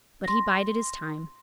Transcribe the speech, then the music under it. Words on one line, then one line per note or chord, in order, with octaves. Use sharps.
But he bided his time.
C6 A#6